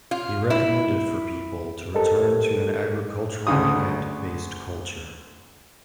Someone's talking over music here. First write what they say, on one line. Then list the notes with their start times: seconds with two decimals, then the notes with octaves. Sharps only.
He recommended for people to return to an agricultural plant based culture.
0.11 F4
0.50 E4
1.95 G4 A4 A#4 C5 D#5
3.47 D2 C#3 D#6